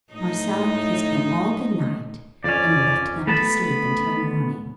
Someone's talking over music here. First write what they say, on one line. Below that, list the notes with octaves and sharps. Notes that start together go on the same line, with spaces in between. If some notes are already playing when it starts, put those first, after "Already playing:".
Marcella kissed them all good night and left them to sleep until morning.
A2 D#4 D#5
F2 C#4 D5
A3 B3 A5 B5